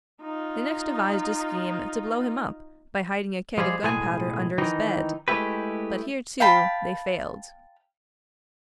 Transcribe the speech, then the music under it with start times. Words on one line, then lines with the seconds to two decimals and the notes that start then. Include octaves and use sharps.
They next devised a scheme to blow him up by hiding a keg of gunpowder under his bed; but here, too, they failed.
0.22 D#4 F4
3.58 F3 G3 G#3 G#4
3.83 B1 A2 G#3 G#4 C#5 G#5
4.58 D#3 E3 D#4
5.28 G#3 A3 E4 G4 B4
6.40 F5 G5 A5 B5